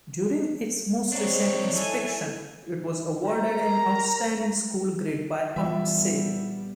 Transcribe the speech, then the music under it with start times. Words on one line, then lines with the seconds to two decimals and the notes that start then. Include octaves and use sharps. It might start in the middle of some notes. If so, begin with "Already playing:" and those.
During its most recent inspection it was awarded an Outstanding school grade by Ofsted.
1.12 C4 D4 D#4 C#5
1.74 E4 A4 G#5 A5
3.25 A#4 A#5
5.56 A#1 E3 F3 G3 B3 E5